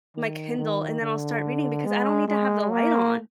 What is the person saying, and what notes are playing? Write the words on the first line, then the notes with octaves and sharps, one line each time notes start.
my Kindle and then I'll start reading because I don't need to have the light on.
D#3
D#3
D3
G#3
G#3
A#3